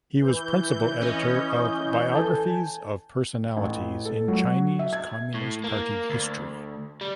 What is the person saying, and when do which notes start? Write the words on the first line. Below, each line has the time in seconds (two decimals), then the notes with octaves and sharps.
He was principal editor of "Biographies of Personalities in Chinese Communist Party History".
0.17 E3 G6
1.01 C#4 D#5
2.14 A4 G#5 A5
3.57 A1
4.05 A4
4.28 F#3
4.79 E5
4.93 G#6
5.34 A2
5.64 A#3
6.10 D2
7.01 G3